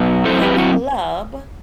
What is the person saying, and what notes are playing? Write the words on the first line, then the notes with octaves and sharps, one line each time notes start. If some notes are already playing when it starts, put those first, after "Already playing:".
the club,
Already playing: B2 F#3 B3
F#3 C4 E4 A4 C5
G4 B4
G4
F#4